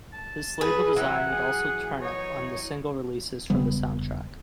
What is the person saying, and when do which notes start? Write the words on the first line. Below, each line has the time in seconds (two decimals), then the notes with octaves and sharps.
This label design would also turn up on the single releases from the soundtrack.
0.13 A5
0.61 G#4 B4
0.96 E3 F#3 E5 F#5
1.29 G#4
2.02 D#4 C#5
3.50 E1 C#3 G3 B3